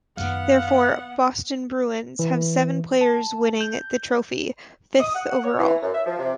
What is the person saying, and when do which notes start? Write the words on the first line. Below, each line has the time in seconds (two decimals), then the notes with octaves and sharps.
Therefore, Boston Bruins have seven players winning the trophy, fifth overall.
0.17 F#2 D#3 B3 F5 F#5
2.19 E3
3.01 A5
3.61 G6
5.00 D#6
5.14 F#5
5.30 F#5
5.43 C#5
5.59 E3
5.82 F#2
5.94 E5
6.06 F3
6.19 C3